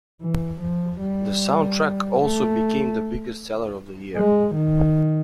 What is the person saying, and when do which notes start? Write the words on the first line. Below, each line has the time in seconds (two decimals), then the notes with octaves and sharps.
The soundtrack also became the biggest seller of the year.
0.22 E3
0.61 F3
1.01 G3
2.19 A3
4.15 G#3
4.55 D#3